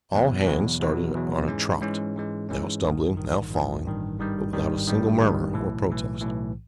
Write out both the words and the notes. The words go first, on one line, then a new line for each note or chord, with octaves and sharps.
All hands started on a trot, now stumbling, now falling, but without a single murmur, or protest.
E2 B2 F#3
E2 B2 F#3
E2 B2 F#3
E2 B2 F#3
G#2 E3 G#3 C#4
G#2 E3 G#3 C#4
G#2 E3 G#3 C#4
G#2 E3 G#3 C#4
A1 G2 D#3
A1 G2 D#3
A1 G2 D#3
A1 G2 D#3
G#1 G2 D#3 G3
G#1 G2 D#3 G3
G#1 G2 D#3 G3
G#1 G2 D#3 G3
B1 A2 E3
B1 A2 E3
B1 A2 E3